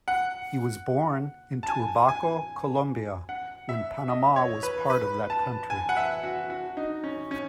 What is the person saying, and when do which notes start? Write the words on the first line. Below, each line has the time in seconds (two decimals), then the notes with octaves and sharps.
He was born in Turbaco, Colombia, when Panama was part of that country.
0.08 F#5
1.63 A5
1.69 G#5
2.09 G#5
3.29 F#5
3.69 E5
4.09 D#5
4.36 C#5
4.63 B4
4.90 B4
5.30 A5
5.70 G#5
5.89 F#5
5.97 E5
6.23 F#4
6.50 F#4
6.77 D#4
7.04 C#4
7.31 C#4